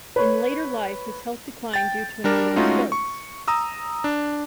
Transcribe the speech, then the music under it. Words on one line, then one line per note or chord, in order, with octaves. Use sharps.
In later life, his health declined due to a number of strokes.
B4 C#5
G5 A6
G3 D4 A#4
G#3 A3 C#4 D#4 F4 F#4
C#6
A#5 D#6 E6
D4